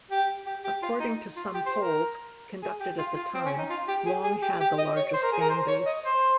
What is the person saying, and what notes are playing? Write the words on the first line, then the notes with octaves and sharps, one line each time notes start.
According to some polls conducted at the time, Wong had the largest fanbase.
G4
G4
G4
F4
D#4
F4
G4
C5
A#4
G#4
G4
F4
F4
C4
C#4
D#4
F4
G4
G#4
G#4
G4
G4
D#5
C#5
C5
A#4
G#4
A#4
C5
C#5
D#5
C5